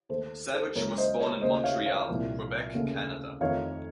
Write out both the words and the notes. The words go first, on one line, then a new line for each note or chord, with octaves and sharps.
Savage was born in Montreal, Quebec, Canada.
D#2 D#3 A3 A4 C5
A4 C5
C#2 C#3 F#3 A#3 A#4 C#5
C5 D#5
A#4 C#5
D#2 C#3 A3 C5 D#5
C#5 F5
C#5 F5
C2 A#2 F3
D#2 C#3 A3
F2 D#3 A3 C#5 F5